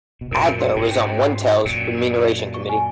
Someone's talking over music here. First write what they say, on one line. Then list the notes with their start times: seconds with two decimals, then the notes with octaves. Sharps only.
Adler was on OneTel's remuneration committee.
0.21 B2
0.31 F#2 A#2 A#4
0.46 A#4
0.60 F#4
0.76 G#2 B2 C#4
0.91 C#4
1.05 C#4
1.21 C#4
1.35 F#4
1.50 A#4
1.65 F#2 A#2 A#4
1.80 C#4
1.95 A#4
2.09 A#4
2.25 D#5
2.39 D#5
2.54 C#6
2.69 G#5